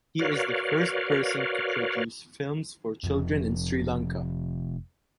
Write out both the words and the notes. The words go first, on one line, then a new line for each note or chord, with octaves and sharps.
He is first person to produce films for children in Sri Lanka.
F#4 A#4 B4 C#5 D5 F5
F1 F2